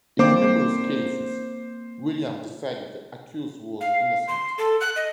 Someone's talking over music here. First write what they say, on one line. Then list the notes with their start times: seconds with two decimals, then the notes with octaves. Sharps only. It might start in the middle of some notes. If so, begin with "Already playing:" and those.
In numerous cases Willam decided the accused was innocent.
0.19 A#3 C4 C5 D5 D6
3.81 F5
4.28 C6
4.58 A4
4.81 F#6
4.96 D#5